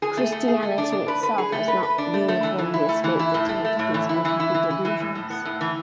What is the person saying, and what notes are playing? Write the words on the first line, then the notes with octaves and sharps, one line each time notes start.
Christianity itself has not uniformly escaped the taint of these unhappy delusions.
G#4
A3
A3
G#4
A3
D4
D4
B4
B4
G#4
A3
B4
B4
D4
A3
A3
E3
E3
E4
A3
E3
E4
A2
A3
A3
A2
E3
E4
E3
E4
E3
E4
E3
A2
A2
B3
A2
E3